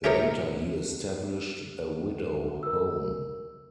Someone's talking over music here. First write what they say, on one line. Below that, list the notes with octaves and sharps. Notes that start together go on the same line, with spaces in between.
Later he established a Widow Home.
C#4 E4 G4 G#4 A#4 C#5
A#4 E6